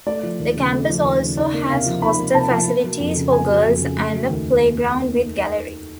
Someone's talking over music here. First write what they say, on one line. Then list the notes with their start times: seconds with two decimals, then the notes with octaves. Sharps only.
The campus also has hostel facilities for girls and a play ground with gallery.
0.06 A3 D5
0.23 F3
0.39 D#2
0.56 C#3
0.71 A3
0.88 F3
1.04 D#2
1.20 C#3
1.36 D#4 D5
1.54 A#3
1.70 C3 F5
1.86 F3
2.01 D#4 B5
2.18 A#3
2.34 C3 A5
2.50 F3
2.67 A#3
2.84 F#3
3.00 F2
3.16 C#3
3.32 A#3 G#5
3.49 F#3
3.64 F2
3.81 C#3
3.97 A3
4.13 F#3
4.30 D#2